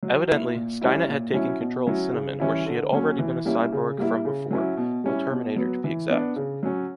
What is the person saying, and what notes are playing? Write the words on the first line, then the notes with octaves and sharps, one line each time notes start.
Evidently, Skynet had taken control of Cinnamon or she had already been a cyborg from before, a terminator to be exact.
F#3
A#3 E4
A#2
G3 C#4 E4
A#2
F#3 C#4 E4
B2
F#3 C#4 E4
C#3
E3 G3 C#4 E4
D3
F#3 A#3 C#4
E3
G3 A#3 C#4 E4
C#3
G3 A#3 E4
C#3
F#3 C#4 E4
B2
G3 C#4 E4
B2
F#3 B3
E3
B3 D4
C#3
F#3 C#4